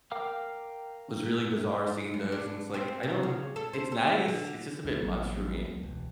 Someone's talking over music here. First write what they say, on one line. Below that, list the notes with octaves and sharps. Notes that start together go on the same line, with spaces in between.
Was really bizarre seeing those, and it's like, I don't it's nice, it's just a bit much for me.
A#4 F5 G5 D6 F6
F#2
D4
C4
C3
C#3
A4
C5
A4
D3
D2
A1 F#3 A#3 B3
C#2
E1